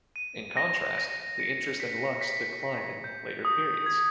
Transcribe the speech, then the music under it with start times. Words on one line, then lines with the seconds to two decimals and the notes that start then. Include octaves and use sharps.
In contrast, the interest in Lux declined in later periods.
0.16 D#7
0.57 A#6
0.98 A#6
1.40 C#7
1.80 B6
2.21 B6
2.63 B6
3.04 G6
3.45 D#6
3.86 G#6